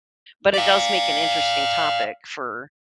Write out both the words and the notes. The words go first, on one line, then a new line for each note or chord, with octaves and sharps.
but it does make an interesting topic for
D5 F5